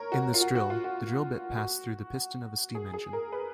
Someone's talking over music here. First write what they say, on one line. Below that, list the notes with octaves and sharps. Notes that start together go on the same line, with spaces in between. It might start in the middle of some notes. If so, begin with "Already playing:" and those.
In this drill, the drill bit passed through the piston of a steam engine.
Already playing: A#4 C#5
F#4
F4
F#4
F#4
F4
F#4
F#4
G#4
G#4
A#4
B4